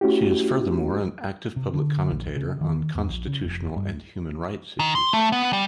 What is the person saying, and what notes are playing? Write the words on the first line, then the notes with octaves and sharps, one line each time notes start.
She is furthermore an active public commentator on constitutional and human rights issues.
A3 C#4 E4 F#4 G4
C3
D3
A#1
C#3
D#3
E2
A#1
C#3
F1
G2
D#3
C6
A3
B3
G3